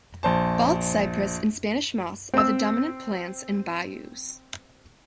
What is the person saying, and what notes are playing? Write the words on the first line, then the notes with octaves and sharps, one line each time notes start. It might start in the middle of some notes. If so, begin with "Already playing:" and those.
Bald cypress and Spanish moss are the dominant plants in bayous.
A#1 C5 A5
C4 E6